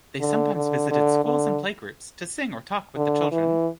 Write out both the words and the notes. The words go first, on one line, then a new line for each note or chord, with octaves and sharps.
They sometimes visited schools and playgroups, to sing or talk with the children.
D3
D3
D3
D3
D3
E3